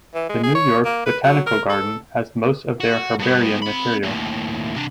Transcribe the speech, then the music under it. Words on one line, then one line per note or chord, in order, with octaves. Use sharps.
The New York Botanical Garden has most of their herbarium material.
E3
G#3
G#4
C#5
A#3
B4
F#3
A#4
A4
F#4
G2 B3
C4 B5
D#2 A2
C3 D4